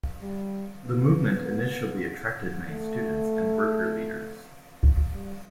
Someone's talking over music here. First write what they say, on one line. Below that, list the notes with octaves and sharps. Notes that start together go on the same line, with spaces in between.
The movement initially attracted many students and worker leaders.
G3
B3
A3
G3